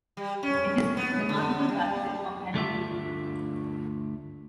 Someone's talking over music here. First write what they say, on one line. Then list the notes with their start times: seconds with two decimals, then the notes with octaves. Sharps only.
It is the nautical capital of Argentina.
0.17 G3
0.43 C#4
0.97 B3
1.29 D3
1.69 G3
2.54 D2 G2 A3 D4 F4 E5